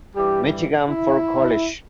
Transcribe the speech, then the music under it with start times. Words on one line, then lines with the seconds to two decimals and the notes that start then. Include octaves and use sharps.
Michigan for college.
0.16 G2 E3 G3 G4
0.89 E4